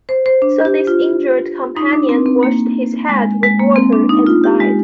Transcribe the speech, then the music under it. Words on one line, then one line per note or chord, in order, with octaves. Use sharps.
So this injured companion washed his head with water and died.
C5
C5
D4
G4
F4
D#4
D4
C4
C4
A#3
G#3
G#3
A#3
C4
D4
D#4
F4
G4
G#3